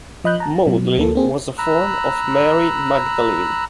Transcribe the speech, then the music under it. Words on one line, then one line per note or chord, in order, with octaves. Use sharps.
"Maudlin" was a form of Mary Magdalene.
F3 D#5 B5 F#6 G6
A5 A#5
B2 F#3
D2 A#3 A4
A#3 C4 G#4
A#5 B5 E6 F#6